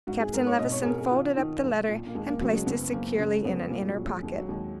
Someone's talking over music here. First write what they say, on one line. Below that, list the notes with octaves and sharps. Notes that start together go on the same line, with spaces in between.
Captain Levison folded up the letter, and placed it securely in an inner pocket.
G#2 F#4
G#4
G#2 A#4
C#5
B2 D#5
C#5
G#4
B2 A#4
G#4
D#3 F4
D#3 D#4
B1
A#2
A#3
D#2 G#3
A#3
C#3 F#3
G#3
F#1 B3
F#1 A#3
C#3 G#3
F1 B3
A#2 A#3
G#3
F#3
A#2
G#3
D#2 G#3
F#3
D#2 G#3